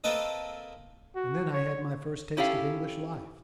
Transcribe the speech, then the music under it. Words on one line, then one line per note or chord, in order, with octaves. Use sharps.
And then I had my first taste of English life.
A#3 C4 A4 B4 D#5
F#4
C#5
C#4 E4 G4 A4 F5